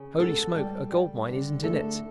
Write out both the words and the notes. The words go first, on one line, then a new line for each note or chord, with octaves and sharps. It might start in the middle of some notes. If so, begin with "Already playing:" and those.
Holy smoke, a gold mine isn't in it!
Already playing: C#3
B3 A4
G3
G3
D3
A3 A4